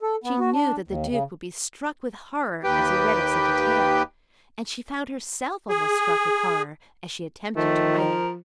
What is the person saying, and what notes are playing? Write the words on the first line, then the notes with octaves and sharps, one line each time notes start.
She knew that the Duke would be struck with horror as he read of such a tale, and she found herself almost struck with horror as she attempted to write it.
A4
B3
F#4
D4
D#2
C#3
D#2 G4 B4 G5
G#4
D#3 F3 A3
A#4